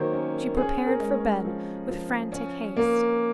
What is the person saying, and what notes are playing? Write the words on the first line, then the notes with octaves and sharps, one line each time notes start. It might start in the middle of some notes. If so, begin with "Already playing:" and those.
She prepared for bed with frantic haste.
Already playing: D#3 F#3 A#3 C5 C#5
C#4
C#4 G#4
A#4
G#3
C#5
F3
F3
C#4
A#3